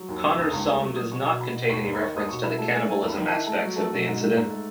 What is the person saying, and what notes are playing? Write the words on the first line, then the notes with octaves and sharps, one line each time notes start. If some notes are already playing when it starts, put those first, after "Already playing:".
Connors' song does not contain any reference to the cannibalism aspects of the incident.
Already playing: F#3
D#2
C#3
D#2 E6
D#6
C#2 C#6
A3 D#6
F#3 C#6
F#3 D#6
B2 C#6
B2
B2 B5
B2
D#2 C#6
D#2
B5
D#3 C#6
D#2 D#6
B2 C#6
E4 B5
A3 A5
A3 G#5
E4 G#5
D#2
B5
D#3
A5
E4
A3 A5
F#3
A3 A5
B2
G#2
A3
G#2
A3